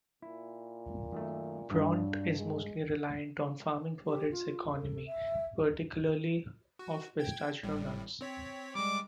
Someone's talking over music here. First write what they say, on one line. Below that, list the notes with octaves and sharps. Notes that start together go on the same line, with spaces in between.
Bronte is mostly reliant on farming for its economy, particularly of pistachio nuts.
A#2 E4
F#2 D#3 A3
G2 F#3 D4
G#3
G4
F4
A4
E5
F#4
G5 G#6
G#1 A2 G3
C4 C#5 B6
G3 G#3 D6